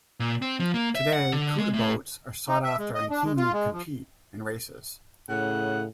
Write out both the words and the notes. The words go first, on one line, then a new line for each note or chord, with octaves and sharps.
Today, couta boats are sought-after and keenly compete in races.
A#2
C4
F3
A#3
E5
F#5
D3
G#3
A2
D#4
E5
G#3
D#5
D4
G#3
F4
G#3
F3
A2 C#3 F#5